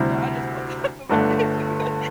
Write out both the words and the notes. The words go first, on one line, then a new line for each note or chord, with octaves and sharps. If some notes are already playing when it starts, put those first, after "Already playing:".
"Girl, I just woke up and my day is good."
Already playing: D2 C3 G3 C4 E4
G1 G2 D3 A3 D4